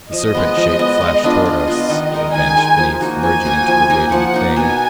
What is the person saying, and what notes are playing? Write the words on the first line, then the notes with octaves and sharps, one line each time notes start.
The serpent shape flashed toward us; it vanished beneath, merging into the waiting Thing.
F3 D#5
G#3 B3
F3
G#3 B3
G#3
B3 D4 F4
G#3 D#5
B3 D4 F4
D#3
G#3 D#4 A#4
D#3 G#5
G#3 D#4 A#4
F3
A#3 D#4 F#4
F3 G#5
A#3 D#4 F#4
F3
A#3 D#4
F3 F#5
A#3 D#4
B2 G#5